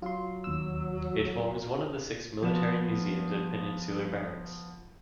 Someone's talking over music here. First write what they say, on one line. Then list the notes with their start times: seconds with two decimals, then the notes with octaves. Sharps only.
It forms one of the six military museums at Peninsular Barracks.
0.02 F#3 F4 C6
0.44 D#2 E6
2.43 F3 B3 E7